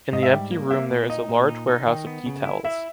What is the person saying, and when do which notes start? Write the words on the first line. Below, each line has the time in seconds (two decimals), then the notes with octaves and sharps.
In the empty room there is a large warehouse of tea towels.
0.13 G#2 D#5
0.23 E5
0.31 G3 G5
0.51 A#3
0.70 A#3 E5
0.90 A#2
1.10 D#4 D#5
1.29 A#2
1.49 D#4
1.67 D#4
1.87 D#3 G5
2.07 B3
2.26 C#3
2.45 E4
2.65 E4 E5